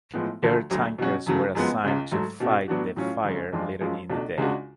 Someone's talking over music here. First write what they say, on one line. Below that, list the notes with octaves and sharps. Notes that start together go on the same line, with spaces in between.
Air tankers were assigned to fight the fire later in the day.
A2 F3 G#3 B3
D2 D3 F3 A3
D2 D3 F#3
B2 F#3 C#4 F#4
F#2 C#3 F#3 A3
F#2 F3 G#3 B3
C#2 C#3 G#3
G#2 F#3 A3
B2 A3 C#4 F#4
A2 F#3 B3 D4 F#4
A2 F#3 C#4 F4
F#2 C#3 G#3 C#4
F2 F3 G#3 D4 F4
F#2 F3 G#3 C#4 F4
C#2 B2 A3 D4
C#2 C#3 G#3 D4 F#4